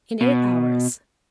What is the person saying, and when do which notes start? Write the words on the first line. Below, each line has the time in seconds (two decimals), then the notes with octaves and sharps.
"In eight hours."
0.21 B2